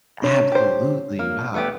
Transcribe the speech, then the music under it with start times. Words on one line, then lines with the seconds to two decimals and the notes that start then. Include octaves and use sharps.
Absolutely, wow.
0.23 D4 C#5
0.52 G4 C5
1.19 A#3
1.54 A3 B3 G4